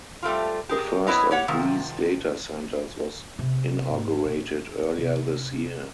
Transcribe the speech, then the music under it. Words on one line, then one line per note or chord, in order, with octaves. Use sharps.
The first of these data centres was inaugurated earlier this year.
G3 A3 C4 F4
G4 G#4 A#4
F2 B3 E4 B4 C#5 D#5
G4 C#5 F#5
C3 D#3 F3
C3
G#1
A#2
C3